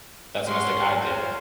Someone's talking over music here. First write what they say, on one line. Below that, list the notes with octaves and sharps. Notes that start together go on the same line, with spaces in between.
That's a mistake I did.
C#4 A#4 F#5 C6
F4 A#4 C5 C#5